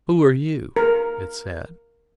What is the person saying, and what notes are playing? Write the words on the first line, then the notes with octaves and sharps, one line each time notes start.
"Who are you?" it said.
A#4